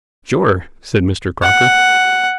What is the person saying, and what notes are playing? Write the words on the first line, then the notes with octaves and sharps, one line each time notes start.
"Sure," said Mr. Crocker.
F#5